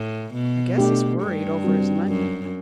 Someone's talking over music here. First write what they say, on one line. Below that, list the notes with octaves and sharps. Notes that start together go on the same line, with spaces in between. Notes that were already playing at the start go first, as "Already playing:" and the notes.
"I guess he is worried over his money."
Already playing: A2
B2
A3 D4 G4
G2
G3 C4 F#4
F#2